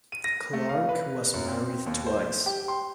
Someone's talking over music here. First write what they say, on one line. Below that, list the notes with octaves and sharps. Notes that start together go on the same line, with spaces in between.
Clark was married twice.
D#7
A#6
A3
F5
B4
F#2
C4
D#2
C5
G4
C6